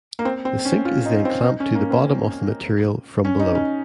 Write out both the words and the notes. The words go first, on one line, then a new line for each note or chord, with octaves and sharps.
The sink is then clamped to the bottom of the material from below.
A#3
C4
C4
C#4
F4
D#4
C4
D#4
C#4
A#3
C4
C#4
D#4
C#4